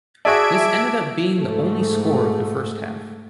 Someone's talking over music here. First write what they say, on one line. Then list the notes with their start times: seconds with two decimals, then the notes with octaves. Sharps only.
This ended up being the only score of the first half.
0.25 F#4 G#4 D5 E5 A5 D6 G#6 D7
1.36 G#2 A3